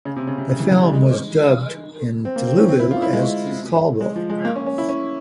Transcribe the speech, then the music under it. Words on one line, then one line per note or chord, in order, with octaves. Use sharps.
The film was dubbed in Telugu as "Call Boy".
C#3
C3
C#3
C3
C#3
E3
E3
G3
G#3
C4
A#3
C4
C#4
C4
E4
F4
E4
G#3
G#3
F3
G#3
A#3
C#4
C#4
E4
C#4